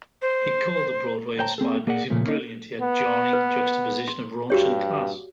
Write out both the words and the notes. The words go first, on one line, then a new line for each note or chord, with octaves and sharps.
He called the Broadway-inspired music "brilliant yet jarring juxtaposition of raunch and class".
C5
C5 C#5 G5 A5 A#5
A#3 C4 G#4 A4
A#3 G#4 A#4 D5 F#5
A#2 C#3 F3 A3 C#4
A#3 C#4 D#4
B3
B4
C6
G2 F#4 G4 C#5